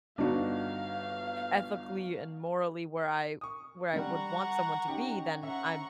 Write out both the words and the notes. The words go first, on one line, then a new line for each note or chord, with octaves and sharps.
ethically and morally where I, where I would want someone to be, then I'm
G1 D4 D#4 F#4 F5
C#6 D#6
D3 G3 F#5 A#5 C#6
C#4 D#4 G4
C#4 E5 F#5 A#5 C#6